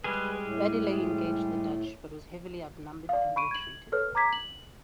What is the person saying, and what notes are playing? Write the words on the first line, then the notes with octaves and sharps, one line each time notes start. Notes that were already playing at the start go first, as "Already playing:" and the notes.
Badiley engaged the Dutch, but was heavily outnumbered and retreated.
G3 G#3 G#4 B4
A2
D5 F5
B5 C#6 D7 D#7
G#6 F#7
A4 B4 C#5 F6
A#5 D6 G#6 B6
F#7